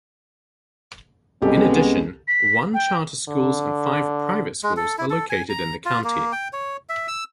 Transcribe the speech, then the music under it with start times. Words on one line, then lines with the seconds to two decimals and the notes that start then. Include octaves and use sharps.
In addition, one charter schools and five private schools are located in the county.
1.42 C2 G#3 B3 C#4 G4 A4
2.28 B6
2.74 G5
3.28 D3
4.63 G#3
4.77 A4
4.98 E4
5.10 A4
5.30 G#5
5.50 A#5
5.85 F4
6.04 A#3
6.32 G5
6.53 C#5
6.89 E5
7.08 E6